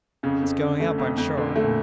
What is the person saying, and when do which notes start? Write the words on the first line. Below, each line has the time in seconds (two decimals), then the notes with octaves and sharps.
"It's going up; I'm sure."
0.23 F2 C#3
0.42 F2
0.60 D3
0.80 A3
0.98 F2
1.18 F2
1.37 D3
1.56 A3
1.64 A#2